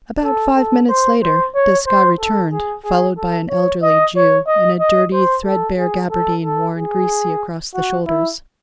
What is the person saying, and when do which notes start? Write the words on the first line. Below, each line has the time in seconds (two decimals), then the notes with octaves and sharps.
About five minutes later, Desgas returned, followed by an elderly Jew, in a dirty, threadbare gaberdine, worn greasy across the shoulders.
0.24 A4
0.56 A4
0.89 C5
1.22 C5
1.55 C#5
1.87 C5
2.20 A4
2.53 G#4
2.85 G#4
3.18 A4
3.50 C#5
3.83 D#5
4.16 C#5
4.47 D#5
4.80 D#5
5.13 C5
5.45 A4
5.79 G#4
6.11 A4
6.44 A4
6.77 G#4
7.75 F#4
8.07 E4